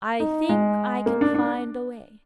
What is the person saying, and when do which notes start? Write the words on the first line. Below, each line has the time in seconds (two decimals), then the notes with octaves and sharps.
"I think I can find a way."
0.20 D#4
0.49 G#3
1.06 A#3
1.21 D4
1.34 D4